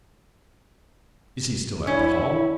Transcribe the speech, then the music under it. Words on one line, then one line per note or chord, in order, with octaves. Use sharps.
"Is he still at the Hall?"
C#4 D4 E4